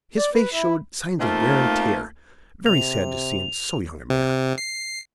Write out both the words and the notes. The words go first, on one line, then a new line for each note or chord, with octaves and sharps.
His face showed signs of wear and tear, very sad to see in so young a man.
D5
B4
E4
A3 A#3 C4 D#4 F4
C3 F7
C3
C7